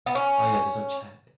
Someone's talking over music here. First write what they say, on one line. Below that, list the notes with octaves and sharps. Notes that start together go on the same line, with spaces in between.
oh, yeah, there's no chat.
B3
C#4